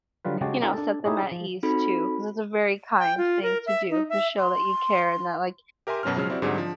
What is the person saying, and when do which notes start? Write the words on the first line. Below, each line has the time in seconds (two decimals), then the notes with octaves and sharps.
you know, set them at ease, too, 'cause it's a very kind thing to do to show that you care and that, like,
0.25 D3 F#3 G3 F4 B4
0.41 C#3 G#3 F#4 G4 G5 A5
0.62 C4 D#4 F4 G4 A#4 C5
0.73 D4 A4
1.04 D#4 E4 G4 G#4 C#5
1.32 F3
1.63 C4 D#4 F#4 A4 B5
2.99 G5
3.18 F4
3.43 A#4
3.66 E5
3.90 D#4
4.09 E5
4.39 C6
5.87 G4 A#4 E5 G#5 C6
6.03 F#2 B2 F#3 C#4 C6 F6
6.16 C#3 F3 F#3 G#3 C#4 F6
6.30 C4 E4 F#4 G4 D5
6.42 G#2 D3 F#3 G3 C4 G#4
6.58 F3 D4 C5